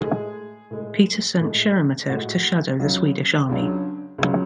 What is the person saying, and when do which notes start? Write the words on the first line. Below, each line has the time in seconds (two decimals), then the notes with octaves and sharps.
Peter sent Sheremetev to shadow the Swedish army.
0.01 A2 G#3 G#4
0.71 A2 G#3
1.40 A2 G#3
2.10 A2 G#3 F#4
2.79 C#2 C#3 F#3
3.49 C#2 C#3 F#3 D4
4.18 C#2 C#3 F#3